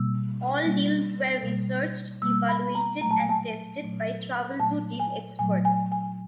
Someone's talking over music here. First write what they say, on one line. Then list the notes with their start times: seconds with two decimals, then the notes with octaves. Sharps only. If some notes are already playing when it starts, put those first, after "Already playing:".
All deals were researched, evaluated and tested by Travelzoo Deal Experts.
Already playing: B2 G3 A#3 E6
0.63 B2 G3 A#3
1.43 B2 G3 A#3
2.22 B2 G3 A#3 E6
2.49 B5
2.75 A#5
3.01 A#2 F#3 A3 A#5
3.11 A5
3.20 G#5
3.29 A5
3.81 A#2 F#3 A3
4.59 A#2 F#3 A3 A5
5.00 G#5
5.39 A#2 F#3 A3 G#5
5.65 G#5
5.92 G#5